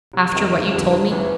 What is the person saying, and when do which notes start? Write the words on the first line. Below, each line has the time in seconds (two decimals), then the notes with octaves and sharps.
After what you told me?
0.13 F1
0.32 F2 C3 D#3
0.52 G1
0.72 F2 D3 G3 B3
0.91 E1
1.11 E2 C#3 E3